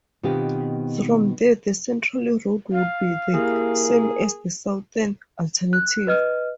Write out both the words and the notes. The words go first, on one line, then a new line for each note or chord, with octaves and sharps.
From there the central route would be the same as the southern alternative.
B2 D#3 B3 C4 F4 G4
F5
A#3 E4 G4 G#4 A#4
F#6
B4 D#5 F6